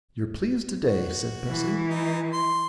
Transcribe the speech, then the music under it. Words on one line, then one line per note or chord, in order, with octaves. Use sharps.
'You're pleased to-day,' said Bessie.
F#4
E3
D#4
C6